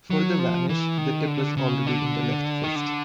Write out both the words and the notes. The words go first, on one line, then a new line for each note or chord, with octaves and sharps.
For the vanish, the tip is already in the left fist.
F#3
F3
E3
D#3
D3
C#3
D3
D#3
D3